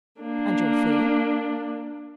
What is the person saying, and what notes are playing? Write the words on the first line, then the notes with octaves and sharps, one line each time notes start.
"And your fee?"
A#3 D4